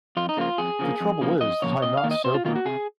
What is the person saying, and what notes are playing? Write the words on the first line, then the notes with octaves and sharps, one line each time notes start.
The trouble is that I’m not sober.
F2 F4
D#4
C#3 F3 A#3 F4
F2 G#4
C#3 F3 A#3
F2
C#3 F3 A#3
F2 D#5
C#3 F3 A#3 C#5
C3 D#5
F5
D#3 A#3
D#5
C3 C5
F4
D#3 A#3 F4
F#4
C3 G#4